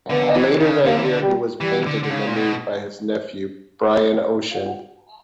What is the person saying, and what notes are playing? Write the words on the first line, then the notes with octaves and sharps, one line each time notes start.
Later that year, he was painted in the nude by his nephew, Brian Ocean.
D3 B3
E3
C#3
D3 A#3
E3
D3
G3
E3 G3
D3
D3
C#3
A#2
B2